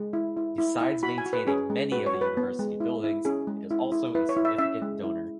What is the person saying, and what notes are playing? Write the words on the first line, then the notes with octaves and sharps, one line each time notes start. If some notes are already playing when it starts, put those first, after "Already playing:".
Besides maintaining many of the university buildings, it is also a significant donor.
Already playing: G#3
E4
E4
E4
E4
F#4 B5
G#5
F#4
B4
C#4 G#4
G#3
F#4 B4
C#5
F#4
B4
B3
G#3
E4
E4
C#4 G#4
G#3
E4
E4
E4 B4
C#5
E4
E5
C#4 E5
G#3
E4